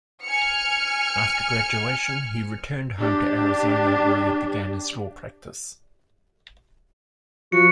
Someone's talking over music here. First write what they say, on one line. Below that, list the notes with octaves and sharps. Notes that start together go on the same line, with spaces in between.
After graduation, he returned home to Arizona, where he began his law practice.
G#5 F6 C#7
D4 G4
F3 F#4 C#7